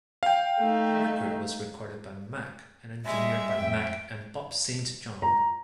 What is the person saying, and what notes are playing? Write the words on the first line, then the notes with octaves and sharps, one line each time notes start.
The record was recorded by Mack, and engineered by Mack and Bob Saint John.
F5 G5
A3 D#4
G3 G#3 E5
F2 G5
A#5